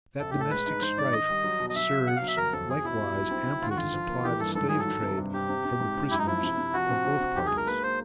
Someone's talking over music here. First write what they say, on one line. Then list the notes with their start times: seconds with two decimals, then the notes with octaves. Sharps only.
That domestic strife serves likewise amply to supply the slave trade from the prisoners of both parties.
0.20 A#1 A4
0.31 A2 G4
0.40 A4
0.51 G#3 B4
0.66 D#4
0.82 G#2 C5
0.97 D#3 D5
1.13 D#3 D#5
1.29 G3
1.44 F#3
1.60 B2
1.70 D#5
1.75 F#3 E5
1.91 C#3
2.06 B2 F#5
2.16 F5
2.22 F#3
2.28 E5
2.37 G1 A#4
2.53 F2 A4
2.69 B2 G#4
2.84 B2 E4
3.00 G3
3.15 B1
3.31 C4
3.46 C4
3.62 D3 F4
3.70 F#4
3.77 G#1 F4
3.93 F3
4.09 A#3
4.24 E3 G4
4.40 G2 A4
4.55 G#2 A4
4.68 F#3 G#4
4.79 A4
4.87 D#3
5.03 C3
5.17 G2
5.33 C4 G4
5.49 C3
5.65 C3
5.80 G#2
5.96 G#2
6.11 F#2 E4
6.19 D#4
6.27 F3 E4
6.43 C3
6.58 C3
6.73 F3 F#4
6.89 C4
7.05 C3
7.21 C3
7.36 B1 G4
7.46 G#4
7.51 G#3
7.57 A#4
7.67 A#3 B4
7.82 A#3 C5